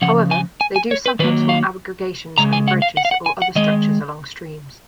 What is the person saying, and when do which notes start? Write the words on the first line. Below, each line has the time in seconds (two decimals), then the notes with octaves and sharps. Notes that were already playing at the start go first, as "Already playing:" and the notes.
However, they do sometimes form aggregations under bridges or other structures along streams.
0.02 C#3 F3 F#5
0.31 G#5
0.61 G#5
0.76 G#5
0.91 C#5
1.06 B4
1.19 D#3 F#3 A#3 B4
1.49 F5
2.38 C#3 G#3 A#5
2.53 G#5
2.68 F#5
2.82 F5
2.97 F#5
3.05 F5
3.11 F#5
3.26 G#5
3.42 F#5
3.55 D#3 G#3 D#5